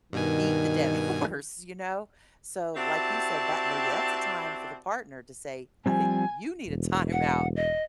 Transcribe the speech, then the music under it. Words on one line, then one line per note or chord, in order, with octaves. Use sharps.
beat the dead horse, you know, so, like you said, that maybe that's a time for the partner to say, "I think you need a timeout,"
G2 B2 D#3 G#5
C4 E4 F#4 G4 D5 A5
F3 G3 C4 G#5
E1
F#5
D#5